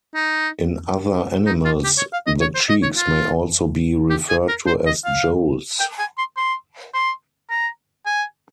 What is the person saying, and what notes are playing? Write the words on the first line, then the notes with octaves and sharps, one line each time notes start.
In other animals the cheeks may also be referred to as jowls.
D#4
D#4
F4
G4
C#5
F5
D#5
C#5
C5
D#5
C#5
F4
G4
G#4
A#4
C5
D#5
F5
G5
G#5
C6
C6
C6
A#5
G#5